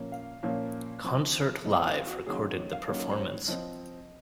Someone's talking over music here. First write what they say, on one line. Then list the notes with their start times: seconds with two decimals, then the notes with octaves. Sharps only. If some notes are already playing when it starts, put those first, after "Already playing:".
Concert Live recorded the performance.
Already playing: A#2 F3 A#3 C#4
0.12 F5
0.43 A#2 F3 A#3 C#4
1.04 F3 C4
1.65 F3 C4 D#5
1.86 F4
2.07 F#4
2.26 D#3 F#3 A#3 C#4 G#4
2.57 C#5
2.73 F5
2.87 D#3 F#3 A#3 C#4 C#5
3.11 C5
3.18 C#5
3.48 F3 C4 D#5